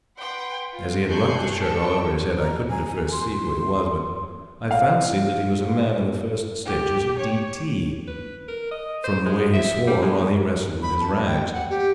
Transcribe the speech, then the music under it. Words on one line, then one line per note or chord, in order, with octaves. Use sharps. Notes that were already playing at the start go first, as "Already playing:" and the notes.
As he had rucked the shirt all over his head, I couldn't at first see who he was, but I fancied that he was a man in the first stage of D. T. from the way he swore while he wrestled with his rags.
B4 F#5 G5 C6
F4
A3 G#5 F#6 G6 C7 C#7
A4 G5 C#7
A#5
G#5
C6
F5
G4
C#5
B4
A#4
D#5
C5
G#3
E5
G3
G#3
B5
A5
G5
F#5
G4